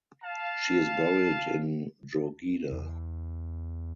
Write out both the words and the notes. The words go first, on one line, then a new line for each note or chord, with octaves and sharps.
She is buried in Drogheda.
F5 A5
E2